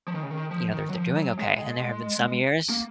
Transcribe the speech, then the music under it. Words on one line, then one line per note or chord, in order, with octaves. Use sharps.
you know, they're they're doing okay and there have been some years
F3
D#3
C#3
D#3
F3
D#3
F#3
F3
F#3
G#3
A#3